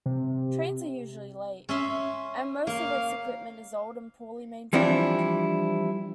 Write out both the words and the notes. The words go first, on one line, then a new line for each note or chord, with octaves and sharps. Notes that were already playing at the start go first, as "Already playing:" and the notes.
Trains are usually late, and most of its equipment is old and poorly maintained.
C3
C#4 E5 C6
A#3 F5
E3 F3 G3 C4 D4 E4